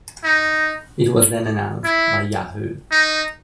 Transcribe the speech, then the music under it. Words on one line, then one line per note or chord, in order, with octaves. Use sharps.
It was then announced by Yahoo!
D#4
E4
D#4